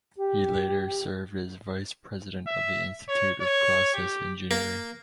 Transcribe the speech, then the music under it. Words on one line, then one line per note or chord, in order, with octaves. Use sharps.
He later served as Vice President of the Institute of Process Engineering.
G4
E5
C#5
C#5
G4
A#3